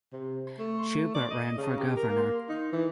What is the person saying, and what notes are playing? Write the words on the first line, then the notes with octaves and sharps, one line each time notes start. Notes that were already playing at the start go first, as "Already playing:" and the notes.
Shubert ran for Governor.
C3
A3
D5
D#5
C#3
G4
A#4
A#3
D#4
E3